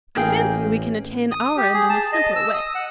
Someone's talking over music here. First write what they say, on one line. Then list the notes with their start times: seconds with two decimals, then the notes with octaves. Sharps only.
I fancy we can attain our end in a simpler way.
0.16 A1 A#3 G#4 G5
1.31 D#6
1.57 G4
1.73 G#4
1.90 A5
2.13 D#5
2.36 E6
2.54 D#6
2.75 F#5